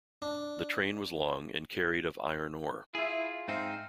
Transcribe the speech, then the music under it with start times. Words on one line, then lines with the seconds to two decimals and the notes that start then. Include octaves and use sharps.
The train was long and carried of iron ore.
0.22 D4
2.95 E4 F4 G#4
3.48 G#2 C4 D#4 C5 E5 F5